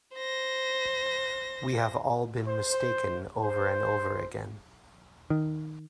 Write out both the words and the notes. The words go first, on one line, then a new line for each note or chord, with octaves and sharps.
We have all been mistaken over and over again.
C5 A#6
C5
C5
D#3